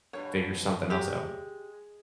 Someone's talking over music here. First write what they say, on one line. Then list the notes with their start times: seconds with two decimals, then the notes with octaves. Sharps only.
figure something else out.
0.13 G2 B2 C#5
0.90 G#3 G4